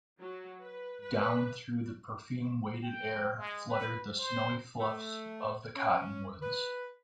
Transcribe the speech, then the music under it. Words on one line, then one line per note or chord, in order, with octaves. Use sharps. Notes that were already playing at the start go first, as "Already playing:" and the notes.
Down through the perfume weighted air fluttered the snowy fluffs of the cottonwoods.
F#3
B4
B4
G5
G#3
B4
C5
A3
C#4
B4